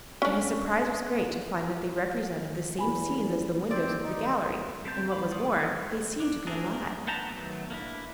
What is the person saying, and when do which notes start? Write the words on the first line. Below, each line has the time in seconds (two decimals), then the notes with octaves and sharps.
But his surprise was great to find that they represented the same scenes as the windows of the gallery, and what was more, that they seemed to be alive.
0.22 C#4 D4
2.79 E2 G#5 B5
3.71 D#2 C4 D5
4.04 D#4
4.85 G3 C4 G4 A5 G6
5.12 F5 B5
5.31 D5 F#5 C6 D#6
5.56 B3
6.20 D4
6.47 F#3 A3 D4 G#4 A#4
7.07 B3 F#5 G5 A5 A#5
7.29 D#3 F3 F#3 A3 B3
7.70 A#3 D4 E4